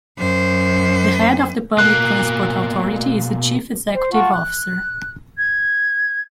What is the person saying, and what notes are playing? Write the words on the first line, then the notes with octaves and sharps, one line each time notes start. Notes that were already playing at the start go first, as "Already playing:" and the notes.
The head of the Public Transport Authority is the Chief Executive Officer.
F#2 C5
B2 A#3 F#6
C5
F4 F#5 A5 C#6
F#6
G#6